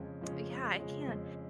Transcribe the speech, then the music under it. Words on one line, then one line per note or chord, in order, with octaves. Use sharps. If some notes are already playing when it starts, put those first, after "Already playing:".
yeah, I can't
Already playing: F2 C#3 F3 G#3 C#4
C#3 F3 G#3 C#4
F2
C#3 F3 G#3 C#4
F2